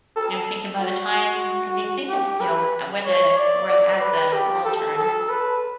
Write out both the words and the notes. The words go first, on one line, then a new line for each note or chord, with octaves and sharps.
I'm thinking by the time 'cause you think of, you know, uh, where the where as the world turns,
A4
F#4
G4
B4
C#5
D5
D5
B4
G4
A4
A4
B4